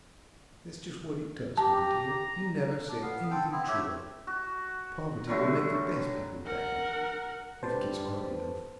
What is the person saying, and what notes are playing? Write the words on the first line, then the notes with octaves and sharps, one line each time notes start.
'That's just what it does, my dear; you never said anything truer. Poverty will make the best people bad, if it gets hard enough.
G4 A5 A#5
D4
B3 F5
C4 A4 G5
B3 C4 E4
A3 G4 C#5 E5
F#4
D3 F#3 G3 A3
A#4 F#5
D3 G3 G4 B4 C5 A5